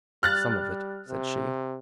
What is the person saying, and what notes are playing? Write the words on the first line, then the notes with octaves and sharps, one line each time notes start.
"Some of it," said she.
G3 F6 F#6 A6
C3